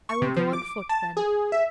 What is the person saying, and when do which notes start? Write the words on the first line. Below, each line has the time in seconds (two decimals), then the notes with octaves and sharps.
"I will go on foot, then."
0.09 C#6
0.22 C3
0.37 F3
0.53 D6
0.89 A5
1.17 G#4
1.52 E5